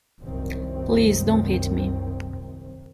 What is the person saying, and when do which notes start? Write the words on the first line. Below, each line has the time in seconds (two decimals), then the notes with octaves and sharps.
Please, don't hit me.
0.21 C2 F#2 D#3 C4